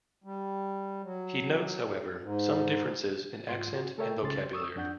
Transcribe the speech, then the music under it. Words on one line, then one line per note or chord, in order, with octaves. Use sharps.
He notes, however, some differences in accent and vocabulary.
G3
F#3
G#2
G#2 F4 C6
F#4
A3 A4 A#4 C#5 E5 G5
C#2 C#4 C6 A6
C#6 D#6 E6
F2 D4 F#5 G6